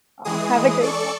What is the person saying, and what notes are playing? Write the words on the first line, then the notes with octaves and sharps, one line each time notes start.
Aw, have a great day.
E3 G#3 G#4 D#6
A4 D5 C#6